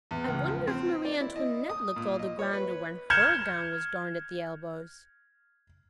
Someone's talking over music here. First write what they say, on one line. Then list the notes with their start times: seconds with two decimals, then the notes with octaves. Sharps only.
I wonder if Marie Antoinette looked all the grander when her gown was darned at the elbows.
0.11 E2
0.28 C#2
0.48 F3
0.67 C4
1.05 D5
1.21 E4
1.36 D#5
1.70 D#6
1.96 A#2
2.19 D#5
2.39 C#5
2.53 B4
3.10 F6 G6 G#6 C#7 E7